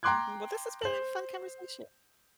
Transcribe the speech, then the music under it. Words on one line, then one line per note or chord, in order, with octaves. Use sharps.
Mhm, well, this has been a fun conversation,
G5 A#5 C6 D6 F#6 G#6
C5 F#7